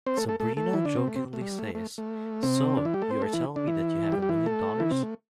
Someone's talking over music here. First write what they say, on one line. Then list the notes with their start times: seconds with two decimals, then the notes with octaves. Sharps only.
Sabrina jokingly says So you are telling me that you have a million dollars?
0.06 C4 C5
0.17 A3 A4
0.29 A3 A4
0.40 A3 A4
0.57 A3 A4
0.73 E3 E4
0.85 D3 D4
0.96 C3 C4
1.08 A3
1.16 C3 C4
1.33 A3
1.41 G3
1.59 A3
1.75 A3
1.98 A3
2.43 C3 C4
2.77 D3 D4
2.85 E3 E4
2.94 G3 G4
3.02 A3 A4
3.10 C4 C5
3.22 A3 A4
3.33 E3 E4
3.56 D3 D4
3.67 E3 E4
4.12 G3 G4
4.22 G4
4.29 E3 E4
4.46 A3 A4
4.80 E3 E4
4.91 C3 C4
5.03 A3